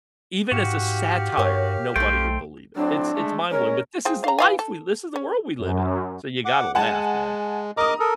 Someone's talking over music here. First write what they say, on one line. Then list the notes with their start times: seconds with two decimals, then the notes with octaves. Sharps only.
E even as a satire, nobody would believe it. It's it's mind-blowing, but, this is the life we li this is the world we live in, so you gotta laugh, man.
0.52 G#2 F#4 G4 F5
1.37 G2 A#4 C#5
1.96 B1 A3 D#4 C5 G5
2.76 A2 F#3 C4 D4
3.14 G#3 A3
3.50 G#3 C#4 A#4 C#5
4.05 F3 C4 G#4
4.24 F5 A#5
4.39 E3 F5 G#5
4.59 A4
5.16 C#4
5.58 F#2
6.45 F#5 D6
6.75 G#3 F#5 G#5 A5
7.77 A#4 D#5 A#5 D6 D#6
8.00 A4 A#4